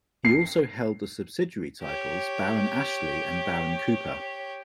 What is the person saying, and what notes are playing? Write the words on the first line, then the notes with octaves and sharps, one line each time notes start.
He also held the subsidiary titles Baron Ashley and Baron Cooper.
C7
G4 C#5